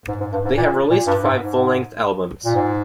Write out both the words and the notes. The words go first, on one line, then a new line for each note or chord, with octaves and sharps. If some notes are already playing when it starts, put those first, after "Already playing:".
They have released five full-length albums.
G#2
G#2
G2
G#2
A#2
A#2
G2
G#2
G#2
A#2
G#2